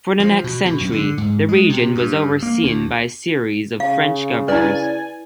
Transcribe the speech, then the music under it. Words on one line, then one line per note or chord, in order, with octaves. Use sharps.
For the next century, the region was overseen by a series of French governors.
F3
B2
B2
F#2
D3
G#2
G#3
C3
G2
A#3
D2
C#3 F5
E4 B4 D5 G#5